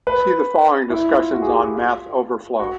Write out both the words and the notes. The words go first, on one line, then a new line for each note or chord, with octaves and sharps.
See the following discussion on MathOverflow.
B4
E4
F4
F#4
G#4
G4
F#4
F4
F#4